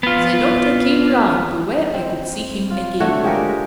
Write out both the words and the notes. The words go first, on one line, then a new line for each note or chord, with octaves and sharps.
The doctor came round to where I could see him again.
B3 F4
C4
F4
A3 D4 F#4 C#5
F3 G#3 G4 A#4